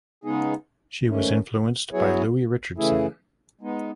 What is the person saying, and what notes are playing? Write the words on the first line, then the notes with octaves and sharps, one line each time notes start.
She was influenced by Louis Richardson.
C#3 G#3 B3 D#4 G#4
G#2 D#3 A3 C#4
F#3 B3 E4 G#4 C#5
C#3 E3 A3 E4 G#4
G#3 B3 D#4